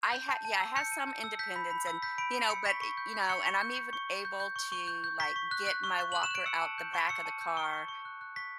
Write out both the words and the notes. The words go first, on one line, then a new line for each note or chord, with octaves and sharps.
I ha yeah, I have some independence and, you know, but e you know, and I'm even able to, like, get my walker out the back of the car
G6
A5
A5
E6
G6 C#7
A5
A5
E6
G6 B6
B5
B5
E6
G6 B6
B5 D7
B5
E6 C#7
C#6 B6
C#6
G6
G6
C#6 C#7
C#6
G6
G6
C#6
C#6
G6
G6
C#6
C#6
G6
G6
C#6 B6
C#6
F#6
F#6
C#6
C#6
F#6 F#7
E7
F#6 D7
E6 C#7
A5
G6
C#6
E6 C#7
A5
G6
C#6
C#6
C#6
F#6
F#6
C#6 B6